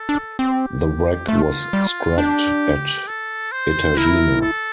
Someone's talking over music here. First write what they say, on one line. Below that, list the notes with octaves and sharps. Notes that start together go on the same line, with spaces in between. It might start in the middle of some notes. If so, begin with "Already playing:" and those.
The wreck was scrapped at Etajima.
Already playing: A4
D4
C4 G4
A3 F4
G3
D4 G4
A4
C5
E4 A#4
A4